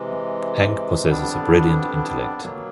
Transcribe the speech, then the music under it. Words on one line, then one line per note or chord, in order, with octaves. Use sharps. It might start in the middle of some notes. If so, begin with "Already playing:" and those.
Hank possesses a brilliant intellect.
Already playing: C3 E3 G#3
F2 D3 G3 B3 D4
B2 F#3 A#3